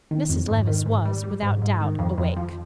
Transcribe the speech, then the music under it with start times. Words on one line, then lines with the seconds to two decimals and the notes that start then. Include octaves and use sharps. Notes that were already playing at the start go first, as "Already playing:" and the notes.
Mrs. Levice was, without doubt, awake.
0.11 D#3
0.30 F2
0.48 G#2
0.67 D#3
0.86 G#2
1.05 G3
1.24 G3
1.43 G#2
1.62 G#2
1.81 D#3
1.99 F2
2.18 F2
2.37 F3